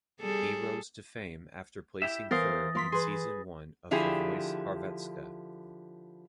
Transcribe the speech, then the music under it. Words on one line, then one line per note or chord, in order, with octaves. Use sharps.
He rose to fame after placing third in season one of "The Voice Hrvatska".
G3 G#4 A4
E4 G4 E5
E3 B3 A#4 C5 F5 D#6 A6 A#6
F3 A#3 C6 B6
G#4 B4 C6
D3 F3 E4 G4 G#4